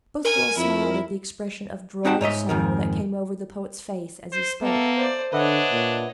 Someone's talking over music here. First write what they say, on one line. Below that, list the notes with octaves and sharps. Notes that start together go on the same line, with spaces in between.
Both girls smiled at the expression of droll sorrow that came over the poet's face as he spoke.
A#4 G#5
F2 E4
C4 D#4 F#4 F#5 G5 A5
G#2 C#5 D#5 E5
F2 G#2 D#3
C5
A#3 B3 A4 E5
C5 D5
D3 D4 B4 C#5 D#5 E5 F#5
A#2